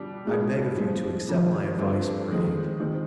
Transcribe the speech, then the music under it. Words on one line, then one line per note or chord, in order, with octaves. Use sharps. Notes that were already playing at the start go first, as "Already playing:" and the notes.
I beg of you to accept my advice or aid.
Already playing: B2 G3 D4
B2 G#3 B3 D#4
F3 G3 G#3 C4
D#3 F3 G3 D4
G2 D3 F3 C4
F2 D#3 G#3 C4
D#3 G#3 C4 D#4